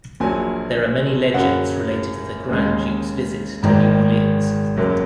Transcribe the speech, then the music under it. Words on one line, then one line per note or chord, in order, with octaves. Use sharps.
There are many legends related to the Grand Duke's visit to New Orleans.
A#1 A#2 F#3 G#5
F#2 C#3 F#3 A#3 F#5
D#2 C#3 G#3
G#1 G#2 D#3 A#3 A#5
F#1 F#2 F#3 A#3